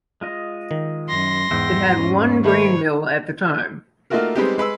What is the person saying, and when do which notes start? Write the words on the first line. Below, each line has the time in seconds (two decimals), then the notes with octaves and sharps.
It had one grain mill at the time.
0.21 G#3 F4 D#5
0.71 D#3
1.09 F#2 C6 A#6
1.51 E2 G#2 E5 F#5 G5
1.97 C#4
2.44 D#3 A3 C5 C#5 B5
4.10 A3 A#3 D#4 F4 F#4 A#4
4.35 G3 G#3 B3 C4 D#4 G4
4.58 G#3 B4 B5 E6